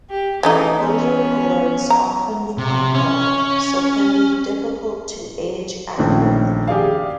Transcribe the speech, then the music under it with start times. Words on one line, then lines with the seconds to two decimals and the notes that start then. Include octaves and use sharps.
Older pollards often become hollow, so can be difficult to age accurately.
0.10 G4
0.43 C#3 E3 A3 D#4
0.78 B3 C#4
1.90 A#5
2.58 C3
2.94 C#4
5.98 A#1 D#3 A3 C4 C#4
6.67 G4 G#4 D5 F5